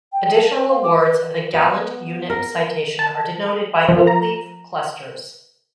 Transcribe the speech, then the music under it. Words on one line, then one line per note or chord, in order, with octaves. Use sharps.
Additional awards of the Gallant Unit Citation are denoted by oak leaf clusters.
G5
A5
B4
F5
D6
B4
B3
A#4
A5
F3
A#5